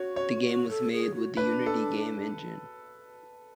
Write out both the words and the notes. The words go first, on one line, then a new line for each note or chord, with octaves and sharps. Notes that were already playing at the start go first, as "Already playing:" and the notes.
The game was made with the Unity game engine.
Already playing: F#4 C#5
C#5
F#4
A4
G#4
F#4
D4 F4 B4
A4